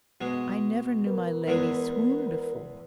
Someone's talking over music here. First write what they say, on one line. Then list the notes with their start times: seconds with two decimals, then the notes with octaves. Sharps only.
I never knew my Lady swoon before.
0.21 B2 G#3
1.07 A#4 B4
1.47 E2 E3 G#3